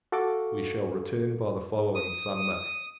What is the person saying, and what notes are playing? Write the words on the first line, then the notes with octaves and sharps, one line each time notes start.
We shall return by the following Sunday.
F#4 A4 F5 C#6 D6
D#6